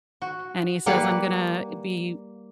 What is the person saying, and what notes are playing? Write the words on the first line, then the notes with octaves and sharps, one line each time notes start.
and he says, "I'm gonna be
F#4
G3 A#3 B4 F5 F#5